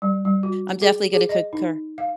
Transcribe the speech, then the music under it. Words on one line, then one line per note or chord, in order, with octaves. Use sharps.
I'm definitely gonna concur
G3
G3
F#4
G#4
G#4
D#5
D#4
F5